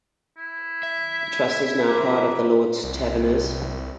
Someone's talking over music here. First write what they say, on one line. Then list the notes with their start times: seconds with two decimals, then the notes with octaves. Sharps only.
The trust is now part of the Lord's Taverners.
0.38 E4
0.83 E5
1.88 F3 A#3 B4
2.84 C2